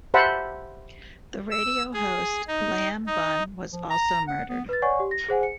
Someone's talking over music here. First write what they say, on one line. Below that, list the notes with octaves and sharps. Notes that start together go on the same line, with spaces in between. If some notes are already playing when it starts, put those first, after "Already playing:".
The radio host Lam Bun was also murdered.
G4 C5 E5 F#5 A5 B5
E6
G#4
D#4
D#4
F3
A#5
F#5
B3
B4 A6
C#5 D5 F#5 G#5 C#6
G4
A#6
G#4 C5 F#5 G#5
C#7